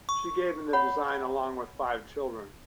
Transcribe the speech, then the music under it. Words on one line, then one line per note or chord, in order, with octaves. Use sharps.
She gave him the design, along with five children.
C#6
C#5 F#5 B5